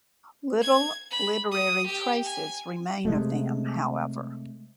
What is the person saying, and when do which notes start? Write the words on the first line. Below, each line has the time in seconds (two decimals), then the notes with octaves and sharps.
Little literary traces remain of them, however.
0.61 G#6
1.10 B5
1.51 D#6
1.86 G4
2.24 G#5
3.05 C3 G#3 A3